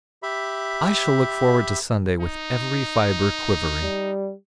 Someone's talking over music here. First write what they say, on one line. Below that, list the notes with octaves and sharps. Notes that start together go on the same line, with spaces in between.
'I shall look forward to Sunday with every fibre quivering.
G4 E5 B5
D#4
G3